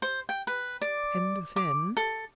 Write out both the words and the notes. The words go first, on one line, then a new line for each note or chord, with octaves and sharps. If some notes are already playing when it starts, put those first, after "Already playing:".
"And then?"
C5
G5
B4
D5
D6
A4